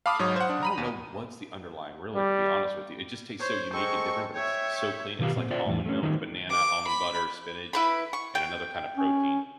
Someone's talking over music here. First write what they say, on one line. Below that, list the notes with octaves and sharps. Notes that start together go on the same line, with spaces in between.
yeah, I don't know what's the underlying, really, to be honest with you, it just tastes so unique and different, but it's s so clean, it's like almond milk, banana, almond butter, spinach, and another kinda protein,
F5 A5 B5 D6 D#6 F6
G#2 F#3 C#5 D#6
C5 F#5
D4
A#5 B5 D#7
D#2
G3
C5 C#5
G#3 C4 A4 C#6
C#5 E5 G5
B2 D#3 F4 G4 F5
A#2 C4
F4 C5 D5 E5 G5
E2 A2
A3 C#4
D#3 G3 C4 D#4
D6
B5
E4 B4 B5
C#6
G5
C#4